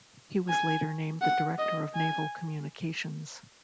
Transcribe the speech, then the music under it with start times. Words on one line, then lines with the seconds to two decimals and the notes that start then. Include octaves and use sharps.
He was later named the Director of Naval Communications.
0.49 G#5
1.22 F#5
1.58 D#5
1.95 G#5